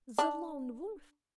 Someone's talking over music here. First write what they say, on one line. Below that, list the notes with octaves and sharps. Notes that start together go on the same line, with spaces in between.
"The Lone Wolf!"
D4